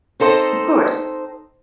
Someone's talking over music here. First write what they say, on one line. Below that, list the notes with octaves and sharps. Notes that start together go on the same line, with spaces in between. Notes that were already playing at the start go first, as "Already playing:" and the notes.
Of course.
C4 D#4 A4 C5 D#5